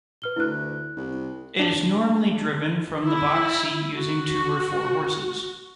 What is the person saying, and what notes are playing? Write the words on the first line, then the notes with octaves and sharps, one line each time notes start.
It is normally driven from the box seat using two or four horses.
B4 F6 G7
D2 E4 F#6
C2
D4
E4
F#4